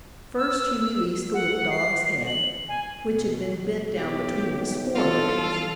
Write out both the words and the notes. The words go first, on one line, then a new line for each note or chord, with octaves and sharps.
First he released the little dog's head, which had been bent down between his fore legs.
E6
F#5
C7
F#7
G#5
B2
B1 A#3 G4
E3 G3 F4 A4